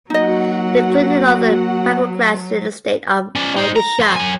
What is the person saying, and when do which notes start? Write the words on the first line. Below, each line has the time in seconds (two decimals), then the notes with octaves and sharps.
They are included in the Other Backward Classes in the state of Odisha.
0.10 F#3 A#3 D#4 F#4 D#5 F#5
3.35 C#4 D5
3.56 D#4 C5
3.76 A#5
3.99 F2 C6
4.16 F#3 G#5